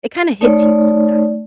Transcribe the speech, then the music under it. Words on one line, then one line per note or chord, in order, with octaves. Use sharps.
it kinda hits you sometimes.
A3 D#4 C#5 D5